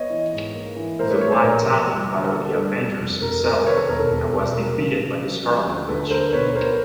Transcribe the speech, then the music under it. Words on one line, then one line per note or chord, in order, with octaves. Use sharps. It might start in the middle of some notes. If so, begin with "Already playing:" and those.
The Black Talon battled the Avengers himself, and was defeated by the Scarlet Witch.
Already playing: B3 C#5 D#5
E3
G#2
A#3
E3
A2 A#4 C5
B4 C#5
A2 B4 C#5
C5 D5
A#1 A#4
F3
G3
D3
A#3 A4
G3
C3
F1
F1 A#4
C3 A#4 C5
D#3 B4 C#5
A4 B4
E1 A#4
A4
E1
C3
F#3 A#4
C#3
C#3
F#3
F3
D2
D2 A4 B4
D2 A#4 C5
B1 B4 C#5
B2 A#4 C5